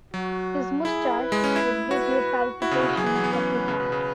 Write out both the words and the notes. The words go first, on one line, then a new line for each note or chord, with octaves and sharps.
His moustache would give you palpitations of the heart.
F#3 F#4
E4 G#4
B4
G#3
C#4
E4
F#4 B4
E4 F#4
C#3
B2
C#3
F#3 G#4
E3
F#3
B3
C#4 B4
C#3
B2
C#3